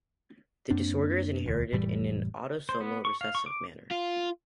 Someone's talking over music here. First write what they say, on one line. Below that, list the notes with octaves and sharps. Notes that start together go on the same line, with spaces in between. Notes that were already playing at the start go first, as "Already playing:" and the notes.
The disorder is inherited in an autosomal recessive manner.
F#2 A#3 C4 D4
E1 D2
F1 A2 E3 G3
C5
B3
C#6
F5
C#6
D6
F4